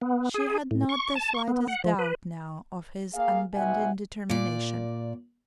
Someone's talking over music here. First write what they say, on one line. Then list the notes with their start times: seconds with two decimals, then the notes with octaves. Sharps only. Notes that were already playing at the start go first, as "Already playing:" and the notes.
She had not the slightest doubt now of his unbending determination.
0.01 B3
0.34 G#4
0.71 A2
0.89 C#6
1.15 A5
1.34 C#6
1.48 B3
1.68 F#5
1.84 F3
1.99 B4
3.14 A#3 G#4 F5
3.55 B1 B2 E5 F#5 G#5
4.30 A#2 D5